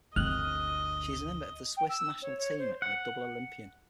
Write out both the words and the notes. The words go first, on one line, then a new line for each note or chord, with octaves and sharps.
She is a member of the Swiss National Team and a double Olympian.
G1 D2 C4 D#5 F6 F#6
G5
E6
C#5
C#5
C5
F#5